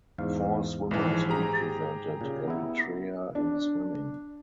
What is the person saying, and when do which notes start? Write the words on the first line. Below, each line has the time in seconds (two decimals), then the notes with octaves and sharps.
Four swimmers represented Eritrea in swimming.
0.18 E2 G#2 F5
0.91 A#1 G#2 E3
1.29 G4 G#4 A#5
2.21 A#2 C#3
2.48 B3 E4
3.35 D4